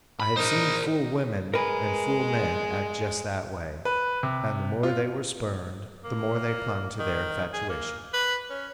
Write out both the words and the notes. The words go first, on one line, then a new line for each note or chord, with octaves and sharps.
I have seen fool women and fool men act just that way, and the more they were spurned, the more they clung to their infatuation.
B5
D#4 A#4 C5
G#3 A#4 B4
B4
C3
F4
A#3
D#3
G#4
A#3
B4
C#4